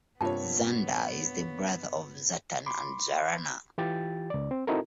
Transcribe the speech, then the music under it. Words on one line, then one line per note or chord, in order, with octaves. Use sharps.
Zandar is the brother of Zartan and Zarana.
G2 C3 A#3 B3 F4 C#5 G5 A5
B5 C6 D6
E3 F4 G4 G5 A6
C#2 D5
C4
C4 D#4 E4 F#4 A4 A#4